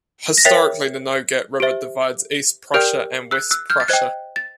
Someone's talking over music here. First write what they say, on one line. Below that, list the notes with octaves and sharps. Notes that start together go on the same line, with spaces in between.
Historically the Nogat River divides East Prussia and West Prussia.
A#6
A#4 C#5 E5 G5 A6 B6
G4 C5 E5
G4 A#4 D5 G5 F6 G6
E6 F#6
E6 F#6
F6 G6
A6
C5 D#5 G5 F#6 G#6
A6